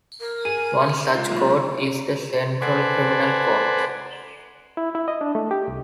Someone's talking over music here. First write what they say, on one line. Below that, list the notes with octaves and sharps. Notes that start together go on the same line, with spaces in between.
One such court is the Central Criminal Court.
A#4
G#4 D#7
G#3 F4
B1 A#3
A4 B4 C5 D5 F#5 G#5
E4
E4
D#5
D4
A3
G4
C2